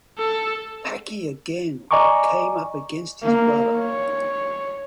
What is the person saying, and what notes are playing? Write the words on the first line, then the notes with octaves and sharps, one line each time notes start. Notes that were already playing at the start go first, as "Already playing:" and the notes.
Paki again came up against his brother.
A4
D5 D#5 G#5 A#5 C#6 D6
A#3
C#5